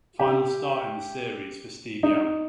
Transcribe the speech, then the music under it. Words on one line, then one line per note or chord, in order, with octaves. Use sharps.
Final start in the series for Steve Young.
G4
D#4